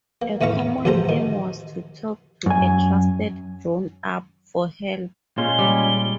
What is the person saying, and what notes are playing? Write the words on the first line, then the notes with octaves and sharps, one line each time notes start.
A common theme was to talk to a trusted grown up for help.
A#3
E2 A2 E4 F5 A#5 C#6
A1 D3 G3 A4 C5 A#5
D#3
F#2 G#5
A#2 G#3 C#4 F4 G7
G3